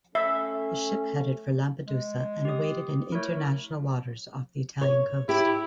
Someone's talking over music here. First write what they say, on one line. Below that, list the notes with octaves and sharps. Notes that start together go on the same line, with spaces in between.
The ship headed for Lampedusa and awaited in international waters off the Italian coast.
A3 C#4 E5
G#3
G4 D#6
A3 E4 A#4 C#5
C#5
E4 G4